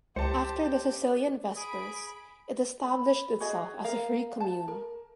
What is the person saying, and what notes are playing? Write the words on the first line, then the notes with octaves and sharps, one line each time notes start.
After the Sicilian Vespers, it established itself as a free commune.
C#2 G4 C5 D#5 A5 C#7
G#4 B5 D7
B5
F#4 G#4 D#5
A#4 F5
A5
A#4